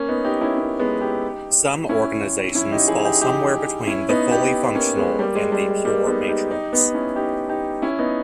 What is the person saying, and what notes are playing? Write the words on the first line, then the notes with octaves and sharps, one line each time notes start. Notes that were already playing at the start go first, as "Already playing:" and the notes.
Some organizations fall somewhere between the fully functional and the pure matrix.
Already playing: A#3 C#4
B3 D#4
D#4 G4
C#4 E4
A#3 C#4
G#3 B3
D#4 G4
C#4 E4
C#4 E4
D#4 G4
E4 G#4
D#4 G4
D#4 G4
C#4 E4
B3 D#4
D#4 G4
A#3 C#4
G#3 B3
G3 A#3
G#3
G3
G#3
G3 A#3
B3 D#4
D#4 G4
D#4 G4
B3 D#4
C#4 E4
D#4 G4
D#4 G4
C#4 E4
B3 D#4